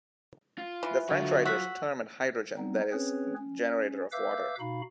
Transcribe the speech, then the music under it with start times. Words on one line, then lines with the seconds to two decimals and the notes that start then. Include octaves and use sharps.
The French writers term it hydrogen, that is, generator of water.
0.58 F4
0.83 E3 B4
1.09 D3 F#3 F4 F#4
1.45 F#4 E6 B6
2.58 G3 B3 C4 D#4
2.92 C4 C#4 G#4 B4 C#5
3.37 C#4
4.12 B4 E5 F5 D6 E6 G6
4.59 B2 D#4 F#4 F5 B5